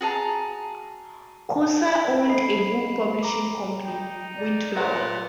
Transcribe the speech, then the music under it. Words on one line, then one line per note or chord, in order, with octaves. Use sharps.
Kooser owned a book publishing company, Windflower.
F#4 G#4 A5 A#5
A4 D#5 B5 C7
A#5 D6
D#4 G5
D5
A#2 B4